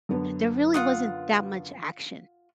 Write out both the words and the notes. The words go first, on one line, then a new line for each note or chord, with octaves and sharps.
there really wasn't that much action.
F#2 D3 B3
F4 F#5 D#6